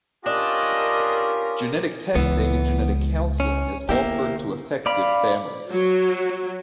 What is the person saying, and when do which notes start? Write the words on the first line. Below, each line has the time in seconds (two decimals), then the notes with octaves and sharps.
Genetic testing and genetic counseling is offered to affected families.
0.26 C#4 D4 F4 G4 A#4 D#5
2.15 C#2 E3 G#3 B3
3.40 C#4
3.89 D3 A#3 B3 E4 G4
4.86 D5 F5 B5
5.70 F#3